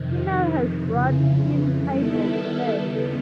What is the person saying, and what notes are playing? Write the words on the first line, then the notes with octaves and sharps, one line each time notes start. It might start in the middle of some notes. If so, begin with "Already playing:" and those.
Female has broad hind tibial spur.
Already playing: F2 C3 D#3
F2 C#3 E3
D#3 G3 B3 E4 A4
D#2 C#3 E3 G3 B3